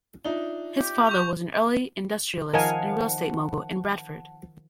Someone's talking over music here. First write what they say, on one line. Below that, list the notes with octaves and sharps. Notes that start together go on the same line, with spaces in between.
His father was an early industrialist and real estate mogul in Bradford.
D4 D#4 F4 E5 G7
G4
C#6 G6 F7
D#3 F3 A#4 D#5 F5 F#5 G#5 A5